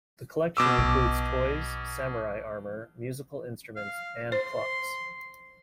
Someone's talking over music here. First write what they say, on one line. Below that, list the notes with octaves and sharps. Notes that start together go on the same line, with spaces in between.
The collection includes toys, Samurai armour, musical instruments, and clocks.
B2 D6 E6
B1
F5
C5 C6